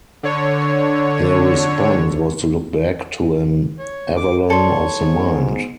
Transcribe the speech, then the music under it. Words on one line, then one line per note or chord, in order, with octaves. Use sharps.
Their response was to look back to an Avalon of the mind.
D3 C#5
C#5
D6
A4 C#5 D5 C6
G#2 B3